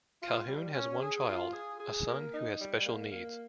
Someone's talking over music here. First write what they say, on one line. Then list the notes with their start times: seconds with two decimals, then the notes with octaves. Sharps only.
Calhoun has one child, a son who has special needs.
0.21 F4
0.48 G3
0.74 C#4
1.00 G#4
1.27 F4
1.53 G#4
1.79 G#4
2.07 A#3
2.32 D#4
2.59 G3
2.86 A#3
3.12 A#3